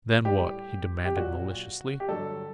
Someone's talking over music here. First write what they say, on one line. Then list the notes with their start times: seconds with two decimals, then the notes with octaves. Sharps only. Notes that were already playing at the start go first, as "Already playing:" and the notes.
"Then what?" he demanded maliciously.
0.25 A2 G3 G4
1.05 G4
1.17 A#2 F#3 F#4
2.00 G4
2.08 G2 D3 F#3 A4